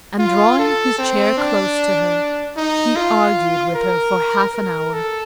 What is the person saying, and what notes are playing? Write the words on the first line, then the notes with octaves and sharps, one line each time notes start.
And, drawing his chair close to her, he argued with her for half an hour.
F4
A4
C4
D4
D#4
F4
A#4
A#4
A4